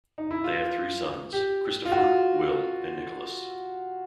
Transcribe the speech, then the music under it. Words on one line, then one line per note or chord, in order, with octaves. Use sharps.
They have three sons: Christopher, Will, and Nicholas.
D#4
E4
F4
G4
F4
F#4